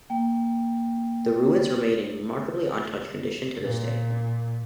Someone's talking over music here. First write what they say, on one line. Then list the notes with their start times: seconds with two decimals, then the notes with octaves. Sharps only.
The ruins remain in remarkably untouched condition to this day.
0.10 A#3 G5
3.65 A#2